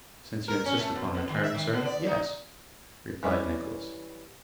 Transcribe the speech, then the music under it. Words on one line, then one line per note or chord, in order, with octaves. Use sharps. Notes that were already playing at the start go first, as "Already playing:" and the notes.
'Since you insist upon the term, sir, yes,' replied Nicholas.
A#4
C#4
A3
B2
B2
D#3
E5
D#3
B2
D5
D#4
E3 G3 C#4 E5